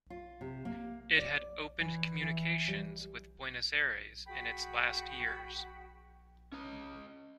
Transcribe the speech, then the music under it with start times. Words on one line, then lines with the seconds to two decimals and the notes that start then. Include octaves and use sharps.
It had opened communications with Buenos Aires in its last years.
0.10 F4
0.41 C3
0.65 A#3
1.18 D5
1.80 E3
2.23 E3
2.68 G3
4.27 F#4 G#4 G5 B5
6.53 C#4 D#5